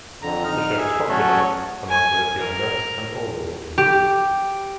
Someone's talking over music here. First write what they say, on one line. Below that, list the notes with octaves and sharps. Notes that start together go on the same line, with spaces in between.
The show was popular among both younger and older audiences.
F2 D3 A#5
D#4 F6
G#4 E5
F#3 A3 C#4 F#4 A4 C#5
G#5
A#4
G4